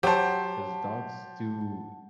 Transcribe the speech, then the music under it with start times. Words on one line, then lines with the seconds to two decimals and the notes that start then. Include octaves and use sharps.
'cause dogs do
0.03 F#3 G4 C5 F#5 A5